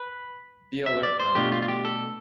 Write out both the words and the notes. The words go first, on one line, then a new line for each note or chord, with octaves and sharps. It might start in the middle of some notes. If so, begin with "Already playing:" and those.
Be alert, men!
Already playing: B4
E5
D5
C5
B2 A3 D4 F4 G4
F4
F4
G4
A4